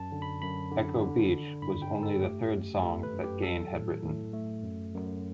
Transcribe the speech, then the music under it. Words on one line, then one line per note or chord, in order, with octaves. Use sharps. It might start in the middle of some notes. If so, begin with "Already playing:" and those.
"Echo Beach" was only the third song that Gane had written.
Already playing: F#2 A5
D3
B5
F#2 B5
D3
D3
D3
G2 B5
G5
G2
A4
A3 G4
F#2
A3 A4
B4
F#2
G4
F#3 A4
A2
A2
A3
F#2
F#2